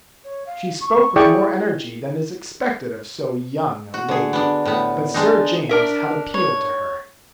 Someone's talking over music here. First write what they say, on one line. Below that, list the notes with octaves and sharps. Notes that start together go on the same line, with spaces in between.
She spoke with more energy than is expected of so young a lady, but Sir James had appealed to her.
C#5
F5
C#6
E4 G#4 D5 G5 C#6
F#4
D3 G#4
B3 D4
A2 B3
G#3 D4 D#4
D4 A#4 E5
C#5